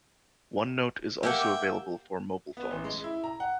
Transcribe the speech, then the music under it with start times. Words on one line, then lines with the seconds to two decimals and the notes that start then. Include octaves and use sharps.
OneNote is also available for mobile phones.
1.23 A#3 G4 E5 F#5 G5
2.57 B3
2.71 A1
2.84 G#3
3.04 E4
3.24 A#5
3.40 F#5